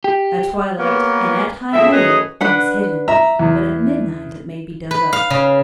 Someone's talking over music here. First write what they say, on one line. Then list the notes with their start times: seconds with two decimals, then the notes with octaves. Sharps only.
At twilight and at high noon it is hidden, but at midnight it may be dug up.
0.04 G4
0.78 A#3 B3 G4 A#4 B4 C#5
1.73 F2 D3 G#3 C4 E5
1.91 F#2 A2 G#4 B4 C#5 D#5
2.41 D4 B4 F#5
3.08 E5 A#5
3.39 E2
4.91 B4
5.13 F5
5.30 C#3